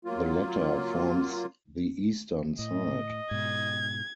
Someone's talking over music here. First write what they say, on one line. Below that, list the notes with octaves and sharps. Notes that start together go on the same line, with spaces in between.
The latter forms the eastern side.
F#3 A#3 F4
A2 D#5
G#2 B2 G#6